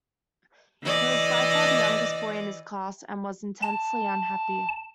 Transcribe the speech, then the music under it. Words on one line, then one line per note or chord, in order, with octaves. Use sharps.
He was by far the youngest boy in his class and was intensely unhappy.
E3 D5 D#5
A5